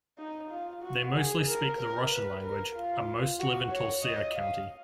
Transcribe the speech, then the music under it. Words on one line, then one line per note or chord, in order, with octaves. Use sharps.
They mostly speak the Russian language, and most live in Tulcea County.
D#4
F4
F#4
G#4
A#4
A#4
B4
A#4
F4
F#4
C#5
D#5
F5